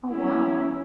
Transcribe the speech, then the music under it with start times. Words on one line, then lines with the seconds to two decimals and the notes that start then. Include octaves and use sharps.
Oh, wow.
0.11 C#4 E4